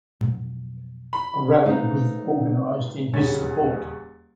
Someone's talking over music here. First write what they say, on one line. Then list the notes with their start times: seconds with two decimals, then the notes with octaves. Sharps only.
A rally was organised in his support.
0.21 F2 B2 F#3
1.13 B5
1.66 A3 D#4 B4 C5 F5
3.13 D#1 E2 C#3 C#4 C#5 A6